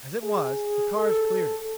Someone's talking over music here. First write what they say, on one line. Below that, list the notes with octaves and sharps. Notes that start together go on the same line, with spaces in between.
As it was, the cars cleared it.
G#4
A4